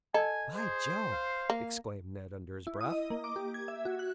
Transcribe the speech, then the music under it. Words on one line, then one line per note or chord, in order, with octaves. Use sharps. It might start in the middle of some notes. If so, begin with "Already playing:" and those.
"By Jove!" exclaimed Ned under his breath.
A4 D#5 G#5
G#4 C5
F5
A#3
E4
D#6
D#5
A#3
D6
G4
G#6
E5
F#4
F#6